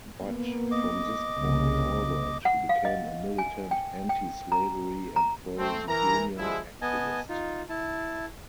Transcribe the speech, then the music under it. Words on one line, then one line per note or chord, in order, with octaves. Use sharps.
But, from this point forward, he became a militant anti-slavery and pro-union activist.
A#3 B3
D#5 D6
C2 C#3 A#3
F#5
F5
D#5
G#5
G5
G5
A#5
A#5
A3 C4
E3 A#4 A#5
D3 F3 G3 G#3 E4
B3 D#5 G#5 A5
D#4 F4
E4 A5